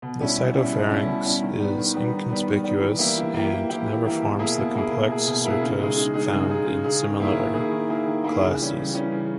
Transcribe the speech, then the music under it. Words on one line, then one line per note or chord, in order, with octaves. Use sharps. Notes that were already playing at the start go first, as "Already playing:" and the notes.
The cytopharynx is inconspicuous and never forms the complex cyrtos found in similar classes.
B2
G3 C#4 E4
B2
G3 C#4 E4
B2
G3 C#4 E4
B2
G3 C#4 E4
D#3
G3 B3
D#3
G3 B3
D#3
G3 B3
D#3
G3 B3
E3
A#3 E4 G4
E3
A#3 E4 G4
E3
A#3 E4 G4
E3
A#3 E4 G4
B2
A#3 E4 G#4
B2
A#3 E4 G#4
B2
A#3 E4 G#4
B2
A#3 E4 G#4
C#3
G#3 D#4 G#4
C#3
G#3 D#4 G#4
C#3
G#3 D#4 G#4
C#3
G#3 D#4 G#4
D#3
A#3 E4 G#4
D#3
A#3 E4 G#4
D#3
A#3 E4 G#4
D#3
A#3 E4 G#4
C#3
E3 G3 C#4
C#3
E3 G3 C#4
C#3